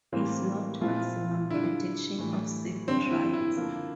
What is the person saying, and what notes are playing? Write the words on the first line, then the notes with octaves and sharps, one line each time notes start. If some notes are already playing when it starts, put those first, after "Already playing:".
It’s not maximum protection of civil rights.
A2 E3 G3 A#3 C4
A#2 F3 C4 E4 F4
D3 G3 D4 E4 F4
A2 E3 G3
G2 D3 G3 C4 D4
E4
E4
D3 F3 A#3